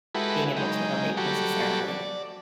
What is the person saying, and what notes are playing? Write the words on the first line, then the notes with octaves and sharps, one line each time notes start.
being able to relate necessarily.
G#3 E4 F#4 G4 A4 B4
F#3 G#3 D#4 G5
F#3 G3 F#4 G4 A4
D5